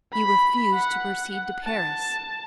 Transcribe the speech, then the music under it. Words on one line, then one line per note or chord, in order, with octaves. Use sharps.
You refuse to proceed to Paris.
B5
F#5
A5